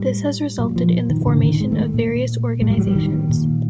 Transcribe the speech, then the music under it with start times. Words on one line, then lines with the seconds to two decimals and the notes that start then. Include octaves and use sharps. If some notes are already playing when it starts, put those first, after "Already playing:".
This has resulted in the formation of various organizations.
Already playing: A2 G3
0.59 A#2 F#3
0.76 F3
1.10 D#3
1.26 A2 D3
1.43 D#3
1.60 G#3
1.72 A3
1.94 A#2
2.61 A2 G#3
2.70 G3
2.78 F#3
2.86 G3
2.95 D#3
3.30 A#2